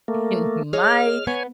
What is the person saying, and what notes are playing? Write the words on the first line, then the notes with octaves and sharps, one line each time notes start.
in my
A3 A#3
G#4 C#5 D#5 F6
B3 C#5 G#5